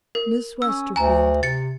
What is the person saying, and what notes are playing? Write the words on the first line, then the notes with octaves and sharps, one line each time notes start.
Miss Westerfield.
A#4
C#4 E6
D2 G#5 A#5
C3 A6 C#7